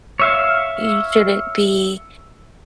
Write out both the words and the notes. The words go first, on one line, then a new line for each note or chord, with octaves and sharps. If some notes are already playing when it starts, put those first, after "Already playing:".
you shouldn't be
C#5 E5 F5